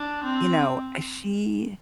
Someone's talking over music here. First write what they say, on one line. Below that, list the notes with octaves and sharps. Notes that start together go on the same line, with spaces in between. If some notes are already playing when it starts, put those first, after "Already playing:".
you know, uh, she
Already playing: D4
C4